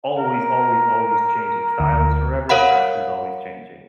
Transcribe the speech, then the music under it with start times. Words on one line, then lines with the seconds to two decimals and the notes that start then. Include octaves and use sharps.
always, always, always changing. Style is forever, fashion's always changing.
0.19 A#4
1.80 D2
2.49 A#4 C#5 F5 F#5 B5